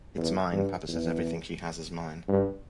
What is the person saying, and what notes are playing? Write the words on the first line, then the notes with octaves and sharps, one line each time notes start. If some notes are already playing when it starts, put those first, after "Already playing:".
It’s mine: papa says everything she has is mine.
E2
G2
E2
G2